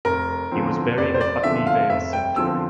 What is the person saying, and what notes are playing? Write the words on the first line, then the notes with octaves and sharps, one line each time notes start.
He was buried at Putney Vale Cemetery.
F1 A#4
E2 D3 F3 C4
F1 D5
C5
D5
E2 D3 F3 C4 E5
F5
F1 E5
G5
E2 D3 F3 C4 E6